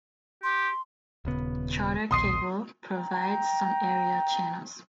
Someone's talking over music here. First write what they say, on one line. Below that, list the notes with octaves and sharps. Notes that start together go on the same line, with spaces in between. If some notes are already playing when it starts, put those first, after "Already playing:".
Charter Cable provides some area channels.
G4 C6
D#1 C#3 B3
A#1 D#2 B2 C6 D#6 C7
G5 A#5